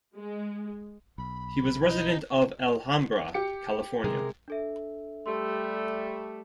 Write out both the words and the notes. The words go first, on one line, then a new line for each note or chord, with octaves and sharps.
He was a resident of Alhambra, California.
G#3
B1 B5
D#4
G4 C#7
C3 G#3 A#4
D4 A4 E5
G3 A3 C6